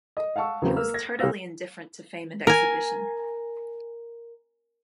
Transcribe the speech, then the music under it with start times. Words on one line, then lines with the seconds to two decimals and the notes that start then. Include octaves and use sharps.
He was totally indifferent to fame and exhibition.
0.17 D#5
0.36 F5 F#5 A5 C#6 E6
0.62 E2 C#3 F#3 A#3 C4
0.76 A#3 E6 F6
0.94 G#6 A#6
1.19 C2 A#3 C#5 F5 E6 A#6
2.47 A#4 G#5